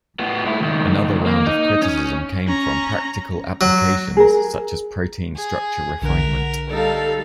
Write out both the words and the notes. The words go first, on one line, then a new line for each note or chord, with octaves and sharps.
Another round of criticism came from practical applications, such as protein structure refinement.
A2 B3
G#2 E4
C#2 D#3
A#3
D#4
C#4
C#4 A#5
F#3
G#4 A#4
G#4
B1 D3 A#4 E5 F#5
G3 D#4 A4 F5